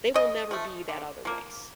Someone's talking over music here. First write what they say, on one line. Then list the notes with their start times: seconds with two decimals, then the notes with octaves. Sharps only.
they will never be that other race.
0.14 C#3 D#5
0.51 F3 A3
0.89 D3
1.25 F3 A#3